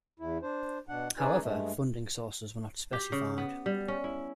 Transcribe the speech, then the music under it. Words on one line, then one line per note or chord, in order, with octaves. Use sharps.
However, funding sources were not specified.
E2 E4
D4 C5
B2 D4 F#5
C#4 D#4 G#4 B4 D5 G#5
G2 G#3 A3
G4
C#3
B3
G3
C#4
E4